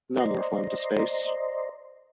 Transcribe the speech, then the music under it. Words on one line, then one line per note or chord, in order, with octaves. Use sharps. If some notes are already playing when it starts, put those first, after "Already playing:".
None were flown to space.
C5 D5 D#5 A#5 C6